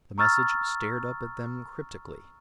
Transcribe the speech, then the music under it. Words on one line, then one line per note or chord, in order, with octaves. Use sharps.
The message stared up at them cryptically.
A#5 C#6 E6 F6 A6